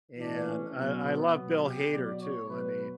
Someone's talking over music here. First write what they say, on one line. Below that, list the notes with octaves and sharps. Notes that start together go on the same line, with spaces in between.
And I I love Bill Hader too, I mean,
A2 E3 D4
C#4
B2 F#3
B3
B2 F#3
G4
B2 F#3 D5
C#5
B2 F#3 B4